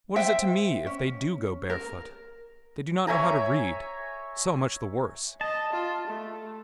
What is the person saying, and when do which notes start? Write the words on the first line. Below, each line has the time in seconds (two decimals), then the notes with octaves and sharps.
What is it to me if they do go barefoot! They do not know how to read; so much the worse.
0.16 C5 E5 G5
0.87 C#4
1.70 A#4
3.07 C#5 E5 G#5 A#5
5.41 D#5 A5
5.73 F4
6.08 A3